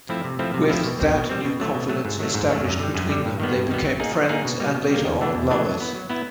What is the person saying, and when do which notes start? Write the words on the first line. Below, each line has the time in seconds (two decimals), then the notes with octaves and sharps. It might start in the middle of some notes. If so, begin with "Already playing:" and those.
With that new confidence established between them, they become friends and, later on, lovers.
0.09 F3 A3 C4 E4
0.24 C3
0.39 F3 A3 C4 E4
0.54 C3
0.69 F3 A3 C4 E4
0.85 B2
0.99 G3 C4
1.14 B2
1.29 G3 C4
1.45 B2
1.60 F#3 A3
1.74 B2
1.89 F#3 A3
2.05 G#2
2.19 D#3 F#3 A3
2.34 G#2
2.50 D#3 F#3 A3
2.64 F#2
2.79 D3 G3
2.95 F#2
3.09 D3 G3
3.25 G2
3.40 D#3 G3 B3
3.55 G2
3.69 D#3 G3 B3
3.85 F#3
4.00 A#3 D#4 G#4
4.14 F#3
4.29 A#3 D#4 G#4
4.45 B2
4.60 G3 A#3
4.75 B2
4.90 G3 A#3
5.04 E2
5.20 C#3 E3 A3 D4
5.35 E2
5.50 C#3 E3 A3 D4
5.65 F#3
5.80 B3 E4
5.95 F#3
6.10 B3 E4